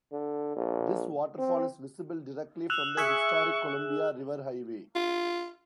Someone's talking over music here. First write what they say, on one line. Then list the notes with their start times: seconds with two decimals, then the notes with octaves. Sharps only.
This waterfall is visible directly from the Historic Columbia River Highway.
0.12 D3
0.56 A#1
1.38 C4
2.70 E6 F#6 E7 F7
2.97 G#4 E5 G#5 C#6
4.95 F4